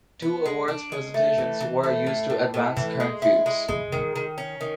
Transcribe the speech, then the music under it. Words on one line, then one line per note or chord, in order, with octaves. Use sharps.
Two awards presentations were used to advance current feuds.
B3
G#3
D4
G#3
A3
E3
E3
A3
A2
A2
A2
E3
G#3
E4
G#3
G#3
D#3
D#3
C#4
D#3